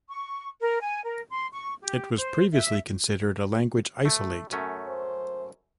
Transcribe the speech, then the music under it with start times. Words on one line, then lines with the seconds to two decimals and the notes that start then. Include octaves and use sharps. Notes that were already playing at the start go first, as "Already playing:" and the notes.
It was previously considered a language isolate.
0.09 C#6
0.61 A#4
0.82 G#5
1.04 A#4
1.30 C6
1.53 C#6
1.81 G4
2.17 C5
2.53 E5
4.05 A3
4.53 F#2 A3 C#4
4.88 C5